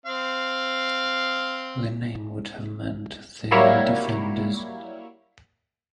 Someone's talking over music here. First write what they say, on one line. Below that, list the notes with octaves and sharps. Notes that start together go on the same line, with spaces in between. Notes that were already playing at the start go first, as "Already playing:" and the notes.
The name would have meant the "defenders".
C4 F5
F#3 G3 A#3 E4 C#5